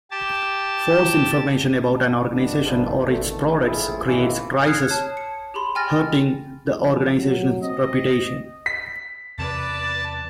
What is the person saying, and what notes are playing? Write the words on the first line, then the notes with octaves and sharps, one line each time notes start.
False information about an organization or its products creates crises hurting the organization's reputation.
G4 A5
D#3 G3 B3 D4
E2 G2 B2 D#3 F3
E2 D3 D#3 A3
A#1 A2 C4 E4 F4 G#4
C#2 G#2 D#3 E3 G#3 C#4
D#6 F6 F#6 G#6 C7 C#7
C#5 A5
C#7
G4 G#4 B5 C6
G5 G#5 F6 A6 A#6
F3
F#3
C4 D#5
B6
E2 C3 B4 D5 A5